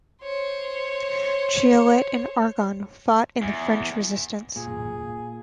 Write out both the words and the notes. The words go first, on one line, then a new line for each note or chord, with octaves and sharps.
Triolet and Aragon fought in the French Resistance.
C5 C#5
E2
A#2 G#4